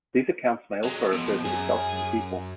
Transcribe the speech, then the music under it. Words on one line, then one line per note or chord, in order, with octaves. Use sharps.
These accounts may also refer to the Selk'nam people.
F#3 G#3
B2 F3
F#2 G#4